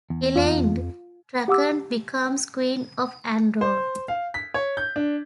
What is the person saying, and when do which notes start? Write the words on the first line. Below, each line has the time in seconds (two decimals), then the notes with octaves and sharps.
Elayne Trakand becomes Queen of Andor.
0.10 E2
0.36 F2 F4
1.48 G4 F#5 D6 E6
3.61 C5
4.08 F5
4.34 B6
4.54 C#5
4.77 G6
4.96 D4